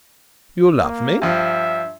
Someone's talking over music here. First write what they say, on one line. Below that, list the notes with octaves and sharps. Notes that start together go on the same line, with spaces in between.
"You love me?"
A#3
G2 F3 E5